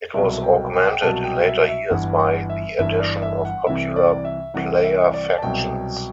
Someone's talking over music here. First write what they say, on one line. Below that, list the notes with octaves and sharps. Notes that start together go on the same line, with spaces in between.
It was augmented in later years by the addition of popular player factions.
C2 B2 F#3 E5
G5
G5
F#5
G5
C2 B2 F#3 A5
G5
E5
E5
G1 G2 E3 F#5
F#5
E5
G1 G2 E3 E5
D5
E5
F#5
C2 C3 E3 E5
D5
E5
C2 C3 E3 F#5
E5
D5
A5
C2 B2 F#3 G5